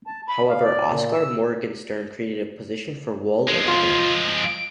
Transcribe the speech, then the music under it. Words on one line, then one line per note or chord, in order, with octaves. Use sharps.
However, Oskar Morgenstern created a position for Wald in economics.
A5
B5
F5
D5
A#2
E6
F3 G#3
F4
D7